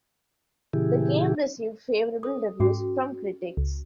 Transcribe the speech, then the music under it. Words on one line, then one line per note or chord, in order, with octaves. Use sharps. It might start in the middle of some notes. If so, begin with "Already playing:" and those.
The game received favourable reviews from critics.
A#2 C#3 E3 E4 G4 G#4
A4 D#6
G#2 C#4 F#4 G#4
C#2